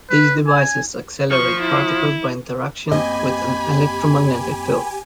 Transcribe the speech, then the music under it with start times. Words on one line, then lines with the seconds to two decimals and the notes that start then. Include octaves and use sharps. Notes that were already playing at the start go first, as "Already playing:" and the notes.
These devices accelerate particles by interaction with an electromagnetic field.
0.10 B4
0.47 G#5
1.31 F3 C#6
1.61 E4
2.91 F#2 A#3 C4 G4 D#5 G#5 B5